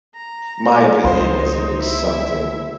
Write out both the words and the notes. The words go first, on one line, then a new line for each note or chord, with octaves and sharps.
My opinion is it was something
A#5
C#2 D#4 C5 C#5 C6
E4 E5